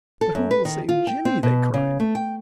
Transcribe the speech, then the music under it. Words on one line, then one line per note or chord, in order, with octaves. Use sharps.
"But who will save Jimmie?" they cried.
A4
F#2
B4
D#3
F4
G5
C4
B2
C#3
A3
G5